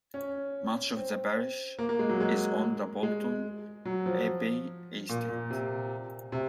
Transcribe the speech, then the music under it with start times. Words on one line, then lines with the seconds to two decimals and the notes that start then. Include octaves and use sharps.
Much of the parish is on the Bolton Abbey estate.
0.14 C#4
0.96 C4
1.79 A#3
1.89 A#3
1.99 G#3
2.09 F#3
2.20 G#3
3.03 G#3
3.85 F#3
4.06 F3
5.09 A#2
5.29 A#2
5.50 C3
6.32 C3